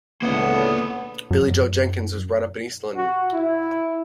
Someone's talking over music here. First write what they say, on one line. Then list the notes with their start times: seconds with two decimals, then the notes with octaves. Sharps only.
Billie-Jo Jenkins was brought up in East London.
0.23 C#2 A2 D3 A#3 B3 F#5
1.31 F#2
2.96 F#4
3.33 E4